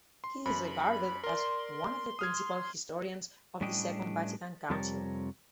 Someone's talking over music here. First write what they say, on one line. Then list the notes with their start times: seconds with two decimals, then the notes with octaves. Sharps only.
He is regarded as one of the principal historians of the Second Vatican Council.
0.24 C6
0.46 F#2 B5
1.24 A#4 D5 C6
2.19 D#6 F6 G#6
3.61 A2 G3 C#4 D4 D#5 G5
4.70 F2 C3 G3 A#4 C#5 A5